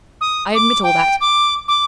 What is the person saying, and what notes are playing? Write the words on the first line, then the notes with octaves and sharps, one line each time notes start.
I admit all that.
D#6
D6
G5
D6
D6